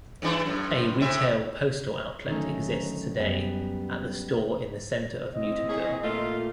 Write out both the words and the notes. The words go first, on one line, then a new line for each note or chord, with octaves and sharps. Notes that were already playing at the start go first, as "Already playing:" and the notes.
A retail postal outlet exists today at the store in the centre of Newtonville.
G2 E3 D4
F#2 A2
A2 C4 E5
D3 D#3 F#3 A3 C#4 D#4
F#2 G3 B3
C4 E4 D#5
A#2 C#4 G#4
A#2 A3 F4